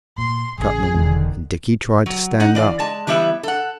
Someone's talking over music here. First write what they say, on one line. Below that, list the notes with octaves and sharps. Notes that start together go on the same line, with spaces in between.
He cut them, and Dickie tried to stand up.
A#2 C6
A1 C#3 G#4
E1 E2 D3 D#3
F#3
D#4 F#5
E3 D5 F5
G#3 A5
E3 G3 B3 E4 E5
A4 F#5